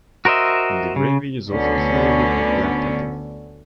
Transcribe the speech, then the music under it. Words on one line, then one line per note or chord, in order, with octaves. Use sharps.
The gravy is often flavored with black pepper.
F#4 A#4 C5 D#5 E5
C#3
D2 D3 B3 C#4